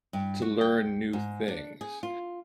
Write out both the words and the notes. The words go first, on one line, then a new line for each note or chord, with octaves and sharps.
to learn new things
G2
F#4
G5
G#2
D4
G#4
F4